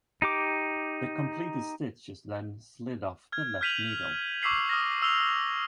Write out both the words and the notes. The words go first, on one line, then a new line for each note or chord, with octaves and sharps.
The completed stitch is then slid off the left needle.
D#4 G4 D6
F6 G#6
F6 G6 B6 D#7 F7 F#7
C#6 D6 E6 B6 C7 F#7
D#6 F6 A#6
E6 F7 G7